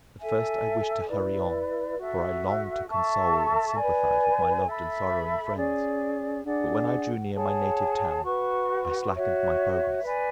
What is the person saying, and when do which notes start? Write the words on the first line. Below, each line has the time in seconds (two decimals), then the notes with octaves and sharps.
At first I wished to hurry on, for I longed to console and sympathise with my loved and sorrowing friends; but when I drew near my native town, I slackened my progress.
0.19 A4 E5 G#5
1.08 E4 B4 D5
1.97 F#4 A4 E5
2.87 A4 E5 A5 C#6
3.76 B4 D5 G#5
4.66 A4 E5 B5
5.55 C#4 G#4 D5
6.44 D4 G#4 D5 F#5
7.34 G#4 C#5 F#5 A5
8.23 F#4 B4 F#5 C#6
9.13 F#4 C#5 E5
10.03 B4 D5 G#5 B5